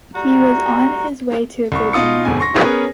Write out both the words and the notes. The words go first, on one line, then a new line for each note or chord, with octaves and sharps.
He was on his way to Virginia.
A2 G3 F#4 A#5
C2 C#6
B2 D#4 F4 D#6 C#7
G1 F2 G#2 B2 G#5
C6 C#6 A#6
B3 C#4 G#4 A#4 B4 C#5